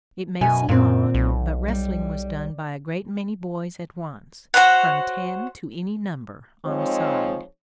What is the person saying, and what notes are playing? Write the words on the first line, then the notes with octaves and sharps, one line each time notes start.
It may seem odd, but wrestling was done by a great many boys at once--from ten to any number on a side.
F#2 B2 G#5
F#2 A#2 C4
B1
G3
F#4 C5 C#5 F#5
F3 G#3 C4 D#4 C#5